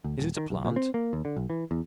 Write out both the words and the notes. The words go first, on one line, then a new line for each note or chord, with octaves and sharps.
Is it a plant?
D2
D#1
D#3
B1
A#2
C4
A#3
D#2
D3
B1
E3
E2